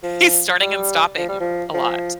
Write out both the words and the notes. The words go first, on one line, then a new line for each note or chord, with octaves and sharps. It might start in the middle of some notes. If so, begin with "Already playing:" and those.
he's starting and stopping a lot.
F3
G3
F3
G3
F3
F3